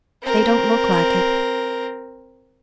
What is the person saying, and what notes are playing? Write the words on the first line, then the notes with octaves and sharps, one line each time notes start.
They don't look like it.
C4 A#4